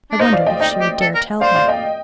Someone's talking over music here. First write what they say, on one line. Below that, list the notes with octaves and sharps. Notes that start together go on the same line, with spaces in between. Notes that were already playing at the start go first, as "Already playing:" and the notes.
I wondered if she would dare tell him.
D4
D#4 C5 D#5
D5 F5
D#5 G5
D#4 D#5 G5
G4
A4
A#4
C5 D5 F5
D5 F5
D#5 G5